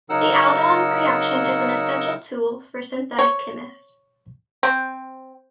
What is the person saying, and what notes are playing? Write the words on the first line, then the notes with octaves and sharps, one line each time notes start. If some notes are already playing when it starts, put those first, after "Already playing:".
The aldol reaction is an essential tool for synthetic chemists.
C#3 F#3 D#4 A#4 F#5 E6
C#5
C4